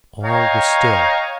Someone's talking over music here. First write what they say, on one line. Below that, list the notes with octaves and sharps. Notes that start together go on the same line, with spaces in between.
All was still.
C#5 D#5 F5 G5 A#5